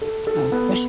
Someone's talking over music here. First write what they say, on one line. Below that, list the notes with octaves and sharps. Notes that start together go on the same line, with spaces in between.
uh, especi
A4
A4
B3